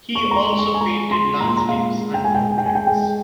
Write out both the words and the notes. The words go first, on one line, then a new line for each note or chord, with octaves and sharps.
He also painted landscapes and portraits.
C#6
G#3
A#5
C6
G#3
C#6
G#5
G#3 A#5
G#3 C6
A#2 A#5
C6
A#5
G#3 F5
G#3
G5
G#3 G#5
G5
G#3 G5
G#5
G5
G#3 G5